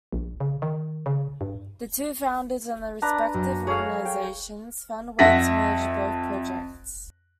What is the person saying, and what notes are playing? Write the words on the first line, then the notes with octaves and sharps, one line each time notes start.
The two founders and the respective organizations found a way to merge both projects.
A#1
C#3
D#3
C#3
G2
D4 B4 A#5
F#2
G#4 A4 C#5 F5
G5
F2 E5 F#5 A#6 B6